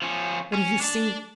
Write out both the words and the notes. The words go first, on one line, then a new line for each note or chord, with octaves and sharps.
What have you seen?
F3 C#4
C#4
D4 A5